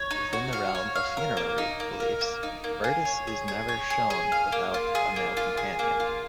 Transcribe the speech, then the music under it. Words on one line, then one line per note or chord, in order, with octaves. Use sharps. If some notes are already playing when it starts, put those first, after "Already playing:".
Within the realm of funerary reliefs Virtus is never shown without a male companion.
Already playing: C#5
D#4
F#4
F5
C#5
F5
A#4
A#3
D#4
A#3
A#4
A#3
D#4
A#3
G#4
C#5
G#4
G#4
C#5
G#4
G#4
F5
A#3
F4
G#4
A#3
F4
G#4
A#3
F4